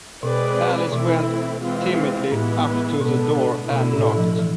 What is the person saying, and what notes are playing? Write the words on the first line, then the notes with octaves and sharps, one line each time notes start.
Alice went timidly up to the door, and knocked.
B2 G#3 C4 G#4 B4 D5
B2 E3 A3 C4 E4
E3 G#3 C4 F4
A2 E3 G#3 B3
B2 D3 G#3 B3 D4 A4
B2 D3 A3 E4
A2
F3
E3